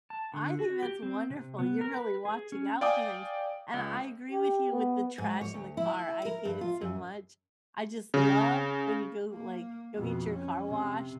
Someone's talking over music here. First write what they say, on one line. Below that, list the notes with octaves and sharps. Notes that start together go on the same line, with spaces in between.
I think that's wonderful, you're really watching out for things, and I agree with you with the trash in the car, I hate it so much, I just love when you go, like, go get your car washed
A5
D3
F#4
G4
C4
C3
B3
A#4
B4
G#4
C#4
D5 F5 G5 G#5 D6 D#6
C#2
G4
B3
G#2
C#5
D2
E4
A#4
G2
F4
F#2
C#3
A#3
F2 B2
C#4
C3